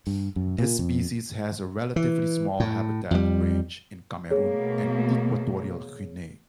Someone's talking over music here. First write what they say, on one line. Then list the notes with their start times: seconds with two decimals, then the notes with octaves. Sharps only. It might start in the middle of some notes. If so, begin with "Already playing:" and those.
This species has a relatively small habitat range in Cameroon and Equatorial Guinea.
0.07 G2
0.36 F#2
0.59 A#2
0.79 F2
1.96 E3
2.60 A2
3.11 F2 G3
4.30 B2 A3 A#3 G#4 C#5